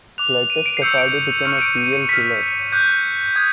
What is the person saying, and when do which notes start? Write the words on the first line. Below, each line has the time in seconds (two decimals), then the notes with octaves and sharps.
Cletus Kasady became a serial killer.
0.18 D6 F#6 F7
0.50 D#7
0.66 D7
0.77 C7
0.82 C#6 E6 G6 C#7
0.98 D7
1.45 C#6 F6 C#7
1.57 D#7
1.62 D7
1.78 D#7
1.93 C#7
2.09 C#6 F6 B6
2.72 D6 F#6 G6
3.36 D#6 F#6 G#6